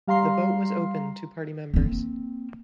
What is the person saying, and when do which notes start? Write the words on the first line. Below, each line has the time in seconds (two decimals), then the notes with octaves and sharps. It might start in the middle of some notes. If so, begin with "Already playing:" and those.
The vote was open to party members.
0.07 G3 F5 A#5 C6 C7
1.74 A#3 C4